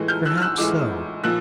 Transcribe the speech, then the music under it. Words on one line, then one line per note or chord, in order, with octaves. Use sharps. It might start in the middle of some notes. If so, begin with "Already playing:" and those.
Perhaps so.
Already playing: A2 E3 G#3
F6 G6
E6 F#6
F6
E6 F#6
A2 E3 G#3 D6 E6
A#2 F3 E6 F#6